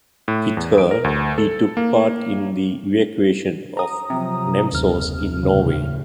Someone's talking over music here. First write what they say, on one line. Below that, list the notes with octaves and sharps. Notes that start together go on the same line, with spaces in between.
With her he took part in the evacuation of Namsos in Norway.
A2
E2
D7
A#4
D2
A4
A#3
A#5 D#6
C3 F3 F#3
F#1 D#2 F6
F2 A2 C#3